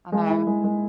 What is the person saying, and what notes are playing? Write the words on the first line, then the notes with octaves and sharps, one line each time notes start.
I know.
G#3
E4
G#3
G#3